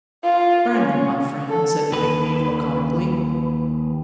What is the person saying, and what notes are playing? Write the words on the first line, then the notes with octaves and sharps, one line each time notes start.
"Burn them, my friend," said Blakeney laconically.
F4
C#4
A4
D#2 B4